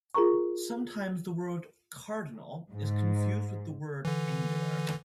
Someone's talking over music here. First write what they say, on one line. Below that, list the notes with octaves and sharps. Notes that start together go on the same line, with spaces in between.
Sometimes the word "cardinal" is confused with the word "angular".
F4 G#4 A#4 A#5 C#6
G#2
D3 E3